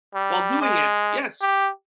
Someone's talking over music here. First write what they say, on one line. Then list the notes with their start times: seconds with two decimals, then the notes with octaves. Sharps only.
while doing it yes,
0.14 G3
0.62 G#3
1.42 G4